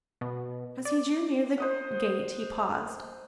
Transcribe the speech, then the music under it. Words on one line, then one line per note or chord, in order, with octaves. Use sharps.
As he drew near the gate he paused.
B2
D5
C5 D#5 F#5